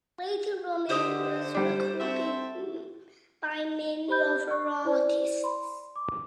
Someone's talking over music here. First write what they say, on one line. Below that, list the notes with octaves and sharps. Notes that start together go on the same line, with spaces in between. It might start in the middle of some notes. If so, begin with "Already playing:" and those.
Later on, it was recorded by many other artists.
D3 G4 C5 D#5 E5
G3 D4 G4
C4 F#4 A4 E5
G4 C5 B5 G6
C#6
E4 C5 D5
B5 C6
D6